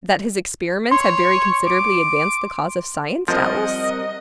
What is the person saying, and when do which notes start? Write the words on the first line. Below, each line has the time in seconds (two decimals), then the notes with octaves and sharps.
"That his experiments have very considerably advanced the cause of science, doubtless?"
0.91 C#5 C6
1.67 D6
3.28 F3 G3 C4 A#4 D#5 F#5